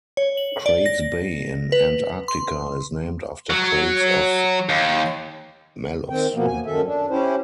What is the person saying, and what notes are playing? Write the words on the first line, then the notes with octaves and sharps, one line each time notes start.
Crates Bay in Antarctica is named after Crates of Mallus.
C#5
F#7
D5
A#6
B4
C6
F#3
D#2
D#3 C4 G5
B2 F3 A#3 B3
D#2 G#5
F#2 D#3 A4 E5
D4
C#4 E4 G4 C5